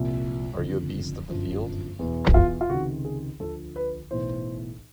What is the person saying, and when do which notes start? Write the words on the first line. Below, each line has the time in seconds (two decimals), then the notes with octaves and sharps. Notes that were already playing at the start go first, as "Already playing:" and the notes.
Are you a beast of the field?
Already playing: C2 A#2 F3
0.58 F#1 F2 D3 F3
1.29 G1 F#2 D3 F3
1.99 E2 B2
2.34 F4
2.61 F4
2.69 C#2 C3 D#3 F#4
3.05 G#4
3.40 D2 D3 F3 A4
3.76 B4
4.11 B1 A2 E3 C5